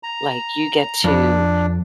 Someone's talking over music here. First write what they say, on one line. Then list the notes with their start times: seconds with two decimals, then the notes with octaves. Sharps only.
Like, you get to
0.03 A#5
1.04 F2 D4